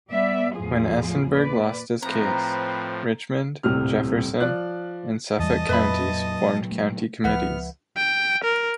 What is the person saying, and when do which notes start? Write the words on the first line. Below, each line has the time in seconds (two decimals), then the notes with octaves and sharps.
When Essenberg lost this case, Richmond, Jefferson, and Suffolk Counties formed county committees.
0.10 G3 B3 D5 E5
0.55 E2 A2 F3 F4 G#4
1.32 A#2 B4 D5
2.02 A2 F3 C4 B4 A#5
3.63 D#1 C2 A2 C3 F6
4.40 F3 D5 F#6
5.39 E2 E3 G3 D#5 A5 D#6
5.69 F2 A#2 F#3 C#4 B4 E5 B5
6.71 A3
7.24 C#2 F3 B3 B4 E5 F#5 F6
7.97 G5
8.44 A#4